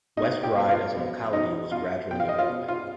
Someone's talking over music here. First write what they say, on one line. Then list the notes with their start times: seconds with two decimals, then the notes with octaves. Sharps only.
West Ryde as a locality was gradually evolving.
0.17 B2 D#4 D#5
0.43 G4 G5
0.56 B2
0.69 F4 F5
0.95 B2
1.33 B2 D#4 D#5
1.72 B2 F4 F5
2.11 B2 G5
2.20 F5
2.29 D#5
2.39 F4 F5
2.49 B2
2.68 F4 F5